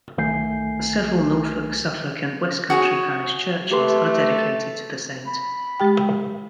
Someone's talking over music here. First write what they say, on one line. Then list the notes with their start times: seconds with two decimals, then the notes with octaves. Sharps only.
Several Norfolk, Suffolk and West Country parish churches are dedicated to the saint.
0.18 B1 D#3 A3 G#5 G6 C7
2.70 F#4 G#4 C#5 G#5
3.71 A3 G4 B4 C6
4.38 A6
5.27 B5
5.80 G#3 G4 G5